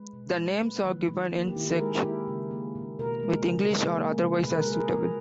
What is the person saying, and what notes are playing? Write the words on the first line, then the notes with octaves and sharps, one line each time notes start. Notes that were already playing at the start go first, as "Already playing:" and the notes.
The names are given in Czech, with English or otherwise as suitable.
Already playing: G#3 B4
B2
G#3
A#3 B4
D#3
A#2
A#3
G4
D#3 E4
E4
A#4
G#3 G#4
G4
A#3 E4
C#3
A#3
A#2
B2 A#4
G#3
C#3
G#3
A#3
C#3
B2 B4
A#4
G#3 G#4
A#4
G#4
A#2 A#4